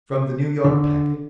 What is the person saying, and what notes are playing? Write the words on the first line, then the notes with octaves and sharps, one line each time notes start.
From the New York Packet.
D3